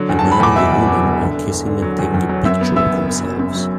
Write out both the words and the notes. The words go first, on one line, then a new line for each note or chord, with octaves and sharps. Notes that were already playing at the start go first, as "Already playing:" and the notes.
A man and woman are kissing and taking a picture of themselves.
Already playing: D3 F#3
E2
A5
F#3
B5
E2 D6
B2 E5 E6
E2
F#3
E1
D3
D3
E2
D3
F#3
E2
E2
F#3
F#2 E5 E6
B3
B3 E5 E6
F#1
B3
F#3
F#2
F#3